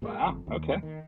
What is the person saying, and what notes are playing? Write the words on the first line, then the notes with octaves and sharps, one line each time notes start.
Wow, okay.
A#2 G#3 A#3
G1 F2
D#2
D#3